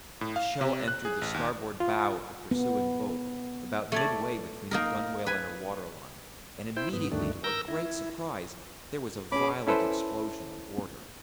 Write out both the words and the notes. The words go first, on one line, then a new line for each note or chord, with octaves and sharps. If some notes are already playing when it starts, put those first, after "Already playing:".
The shell entered the starboard-bow of the pursuing boat, about midway between her gunwale and her water-line; and immediately, to our great surprise, there was a violent explosion on board her.
A2
F5
C3
F#6
G#4
A1
D#2
F4
B3
A3 C#5 D5
A#3 D#4 A#4
B4 G#5
E4 C5 G5
G#2 B3
D2 G2 D#3 A3 D4
A#4 E6 G6 A#6
E4
C#4 G#4 B5 D6
C#4 E4 A4 B4 C5